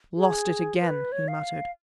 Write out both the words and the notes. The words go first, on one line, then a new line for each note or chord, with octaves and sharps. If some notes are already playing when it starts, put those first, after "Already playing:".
"Lost it again!" he muttered.
G#4
B4
C#5
F5